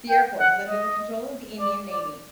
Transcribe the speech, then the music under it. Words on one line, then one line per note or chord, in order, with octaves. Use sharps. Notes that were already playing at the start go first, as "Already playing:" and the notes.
The airport is under the control of the Indian Navy.
G5
F#5
D#5
D5
D5